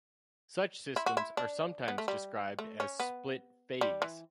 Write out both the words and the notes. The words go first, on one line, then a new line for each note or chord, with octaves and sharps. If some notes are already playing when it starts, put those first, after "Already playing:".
Such systems are sometimes described as split-phase.
E4
F#4
E4
D4
B3
A3
G3
A3
C#4
B3
G3
E3